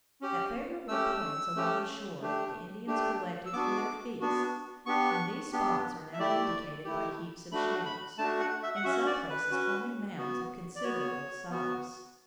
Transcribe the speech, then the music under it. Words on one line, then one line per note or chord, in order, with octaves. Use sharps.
At favorable points along the shore the Indians collected for their feasts, and these spots are now indicated by heaps of shells, in some places forming mounds of considerable size.
C#4 G4
A3 C#4 G4 E6
A3 C#4 G4
A3 D4 G4
A3 D4 G4
E6
B3 D4 F#4 D6
B3 D4 F#4
B3 D4 G4 C#6
B3 D4 G4
E5
A3 E4 G4 D5
A3 E4 G4
A3 D4 F#4 B5
B5
A3 D4 F#4 A5
F#5
E5
F#5
C#4 F#4 E5
D5
B4
C#4 F#4
B3 F#4
D5
B3 F#4 C#5
B3 F#4